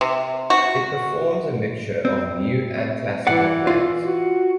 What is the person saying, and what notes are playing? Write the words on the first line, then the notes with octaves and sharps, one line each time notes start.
It performs a mixture of new and classical plays.
C3
F#4
C4
E3 D5 F#5
F4
F#4